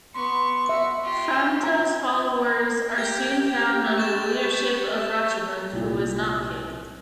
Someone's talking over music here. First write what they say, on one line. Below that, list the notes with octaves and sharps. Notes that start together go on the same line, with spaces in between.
Framta's followers are soon found under the leadership of Rechimund, who was not king.
B3 C6 C#6
F#4 E5
F4 G4
C4 F4 A#5
G4 G6 G#6
C#6 A6 E7
C2 A#2